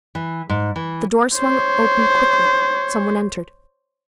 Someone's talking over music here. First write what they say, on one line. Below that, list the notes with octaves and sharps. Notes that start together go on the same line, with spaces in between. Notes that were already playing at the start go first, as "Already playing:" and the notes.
The door swung open quickly--some one entered.
E3
G#2
E3
C5 C#5